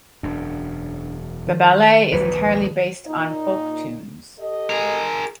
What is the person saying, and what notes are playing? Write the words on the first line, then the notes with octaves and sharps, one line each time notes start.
The ballet is entirely based on folk tunes.
E1 F#2 D4
D#3
A#1 D#2 G#2 B4
A#2 D#4
G4 A4 D#5
G#4 A#4